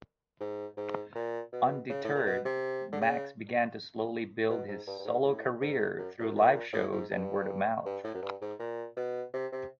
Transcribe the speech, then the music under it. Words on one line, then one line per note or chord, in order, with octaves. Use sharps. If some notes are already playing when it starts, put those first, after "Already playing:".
Undeterred, Max began to slowly build his solo career through live shows and word-of-mouth.
G#2
G#2
A#2
B2
C#3
A2
A#2
B2
C3
D3
C#3
B2
G#2
G2
G2
G#2
A2
G#2
F#2
F#2
A#2
A2
G#2
G2
G2
A2
F#2
G2
G#2
A#2
B2
C3
C3